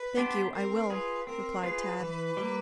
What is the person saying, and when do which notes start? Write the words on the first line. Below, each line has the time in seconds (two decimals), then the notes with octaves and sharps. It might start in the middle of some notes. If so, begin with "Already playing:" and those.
"Thank you, I will," replied Tad.
Already playing: B4
0.17 B3 D4 G4 C5
0.53 C4 A#4
0.90 F4 G#4 B4
1.27 C4 A#4
1.63 F4 G#4 B4
2.00 E3
2.37 G3 A#3